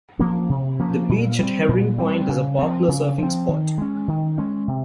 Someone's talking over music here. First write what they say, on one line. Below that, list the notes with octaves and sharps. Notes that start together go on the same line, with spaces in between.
The beach at Herring Point is a popular surfing spot.
F3 A#3 C#4
C3
F3 A#3 C#4
A#2
G3 C4
A#2
G3 C4
C#3
F3 C4
C#3
F3 C4
D#3
G#3 C#4
D#3
G#3 C#4
C3